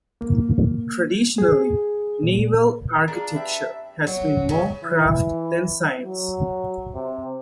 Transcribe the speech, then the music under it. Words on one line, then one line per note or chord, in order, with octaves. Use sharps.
Traditionally, naval architecture has been more craft than science.
A#3
G#4
A#2
D4 F4 G#4 A#5
G4 B4 E5
F#3
C#3
E3
F#3
C3